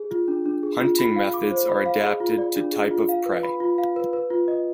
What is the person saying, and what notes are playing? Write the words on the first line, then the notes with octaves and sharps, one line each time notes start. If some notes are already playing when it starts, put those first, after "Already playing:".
Hunting methods are adapted to type of prey.
Already playing: G#4
F4
D4
D4
G#4
F4
B5
F5
D6
C5
B5
F5
G#4
F4
D5
D4
G#4
F4
F5
B4
B5
F4
F5
B4
B4
F4
D#5